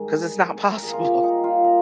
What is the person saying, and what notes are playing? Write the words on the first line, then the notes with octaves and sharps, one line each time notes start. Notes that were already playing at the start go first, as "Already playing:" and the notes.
'Cause it's not possible.
Already playing: G#2 D#3 G3 G#4
A#4
A#2 G3 A#3 G#4
F4
G4
D#4
F4
A#4